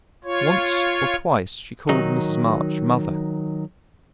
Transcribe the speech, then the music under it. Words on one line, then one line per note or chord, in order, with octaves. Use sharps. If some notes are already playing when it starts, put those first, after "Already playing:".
Once or twice she called Mrs. March "Mother."
F4 C#5
D#3 F#3 D#4